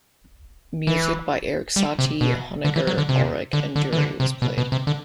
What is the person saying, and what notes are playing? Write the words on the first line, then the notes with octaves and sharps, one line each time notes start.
Music by Erik Satie, Honegger, Auric and Durey was played.
E3
G3
C3
B2
D3
E3
F#3
D3
C3
D3
D3
E3
D3
C3
B2
B2
C3
D3